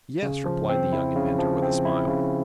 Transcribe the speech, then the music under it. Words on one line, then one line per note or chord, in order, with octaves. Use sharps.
"Yes," replied the young inventor, with a smile.
C#3
F3
C4
E4
C#3
F3
C4
E4
C#3